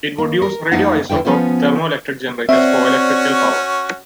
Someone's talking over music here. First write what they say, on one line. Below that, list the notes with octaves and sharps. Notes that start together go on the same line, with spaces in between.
It would use radioisotope thermoelectric generators for electrical power.
A#3
A#4
F2 A3 A#3 D#4 F5 F#5
E2 D3 E4 C5 G5
F3 B3 C#4 F4 C5
C4 C#4 F#4 C5 D5 E5